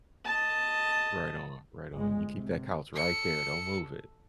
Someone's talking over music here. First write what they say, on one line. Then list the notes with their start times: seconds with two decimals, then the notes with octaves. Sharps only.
Right on. Right on. You keep that couch right there, don't move it.
0.25 D#5 A5
1.93 G1 G#3
2.31 C3
2.94 A4 C#7